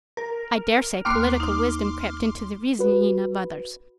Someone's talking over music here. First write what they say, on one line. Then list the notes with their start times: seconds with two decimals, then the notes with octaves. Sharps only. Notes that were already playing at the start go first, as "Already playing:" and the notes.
I daresay political wisdom crept into the reasoning of others.
0.17 A#4
1.05 D#2 A#3 C6 D6 F6 F#6
1.40 D#4
2.79 F#4 B4